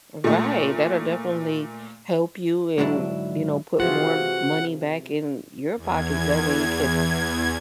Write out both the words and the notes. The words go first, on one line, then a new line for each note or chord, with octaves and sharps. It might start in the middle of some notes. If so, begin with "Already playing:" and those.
Right, that'll definitely help you and, you know, put more money back in your pockets, that way it could
A#2 A3
G#2 D3 F#3 D4 E4
C3 E3 F3 F4 F#4 G#4 F#5
E2 G#6